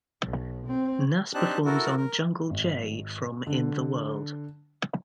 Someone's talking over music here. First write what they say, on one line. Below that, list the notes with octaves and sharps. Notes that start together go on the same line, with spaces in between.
Nas performs on "Jungle Jay" from "In the World".
B1
C4
C4 D4 D#4 G4 A5 F#6
E4 F#4 A4 A#4
A#4
G#1
D3